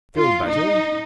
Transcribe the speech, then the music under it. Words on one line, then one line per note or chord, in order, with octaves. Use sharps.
Feel better.
F4
D#4